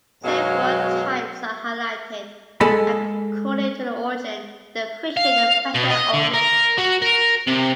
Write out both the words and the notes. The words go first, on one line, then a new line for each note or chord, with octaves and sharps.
Several types are highlighted according to their origin, their friction, their pressure or mixed.
F#2 B2 F#3 G#3 F5
G#3 A4 G#5 B5
F5
B2
D#5
D3
A#4
F#4
A#4
C3